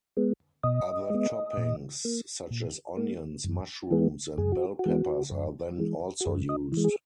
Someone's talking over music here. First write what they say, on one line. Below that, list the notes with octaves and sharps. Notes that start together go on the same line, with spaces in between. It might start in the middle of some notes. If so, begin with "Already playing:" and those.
Other toppings such as onions, mushrooms and bell peppers are then also used.
G#3 B3
B2 D#5
G#3 B3
A#2
A#3
A#2
A#3
F#2
E3 G#3 B3
F#2 G#4
F#4
F#4
E3 G#3 B3
F#2
E3 G#3
F#4
F#2 G#4
D#5
E3
G#3
G#4